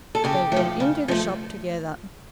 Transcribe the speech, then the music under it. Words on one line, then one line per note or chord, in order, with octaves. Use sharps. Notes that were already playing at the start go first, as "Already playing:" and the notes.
They went into the shop together.
A4
C#3 G4
F3 A3
C#3
F3 A3